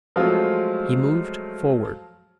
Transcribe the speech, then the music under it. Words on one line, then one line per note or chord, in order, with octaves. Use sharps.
He moved forward.
F3 F#3 G#3 A3 C4 F4